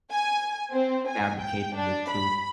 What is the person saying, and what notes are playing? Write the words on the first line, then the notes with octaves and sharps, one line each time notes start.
fabricating the truth
G#5
C4
G#5
G5
D4
B5